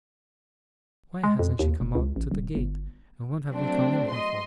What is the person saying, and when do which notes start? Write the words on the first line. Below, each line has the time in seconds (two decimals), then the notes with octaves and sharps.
Why hasn't she come out to the gate, and what have we come in here for?
1.24 G#3
1.39 F2
1.59 D#2
1.80 F1
1.95 C#2
2.16 A1
2.31 D#1
2.55 G1
3.51 F#3 A3 C4 D4
4.11 D#5 C6